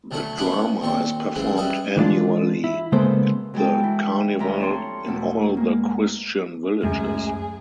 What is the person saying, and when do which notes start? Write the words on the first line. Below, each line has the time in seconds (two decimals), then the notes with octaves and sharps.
The drama is performed annually at the Carnival in all the Christian villages.
0.11 D2 F#3 A3 A5 B5 C#6
0.37 A3 B3 C#4 F#5 B5 D6
0.81 D#2 A#2 C4 C6 C#6
1.35 G#2 C#3 E3 F#3
1.57 G3 C#4 B4 D#5 E5
1.97 E3 G#3 D4 F4
2.64 E4
2.92 C#3 G#3 A#3 B3 A4 C5
3.54 F#3 G#3 B3 A4 G5
3.83 E3 E4
4.40 D2 F3 G4 E5 A#5
4.59 C4 A4 C#5 C6
5.06 E2 B2 F#3 A3
5.57 G#3 A#3
6.82 C#2 F#2 A2 G#4